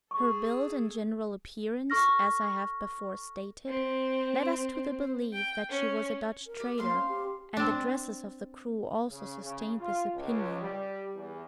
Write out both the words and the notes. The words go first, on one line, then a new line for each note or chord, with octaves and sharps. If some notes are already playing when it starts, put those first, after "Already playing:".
Her build and general appearance, as I have before stated, led us to the belief that she was a Dutch trader, and the dresses of the crew also sustained this opinion.
G#4 A4 C#6
A4 C#6 F6 A#6
C4
G5
C#4
A#4
G4
A#3 C5 F5 C6
C#4
G4
C4 D4
C#3
C#3
F4
C#2
G3
E2